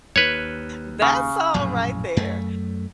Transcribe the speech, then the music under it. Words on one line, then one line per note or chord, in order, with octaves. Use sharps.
That song right there
D#2 B4 C#5
C#3
A#1 F#2 A2
F#2 A3